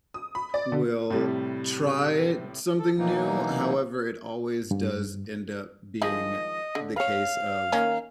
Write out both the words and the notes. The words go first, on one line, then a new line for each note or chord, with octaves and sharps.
will try something new; however, it always does end up being the case of,
D#6
B5
D5
D3
A2 C3 G3
A4
B2 E3 F#3 A#3 D#4
G2
D#3 F3 G#3 D#5
D3
B4 C#5 F5
D#3 A#3 C#4